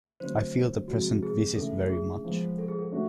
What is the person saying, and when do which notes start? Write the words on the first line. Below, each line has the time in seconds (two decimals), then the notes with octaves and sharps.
I feel the present visit very much.
0.20 D3 F#3 A3 C4 C5
0.88 C3 F3 G#3 F#4
1.23 G#4
1.56 C#3 E3 A3 D4 A4
1.90 G#4
2.24 F3 G#3 B3
2.58 A4
2.68 G#4
2.79 A4
2.91 A3 D4 F#4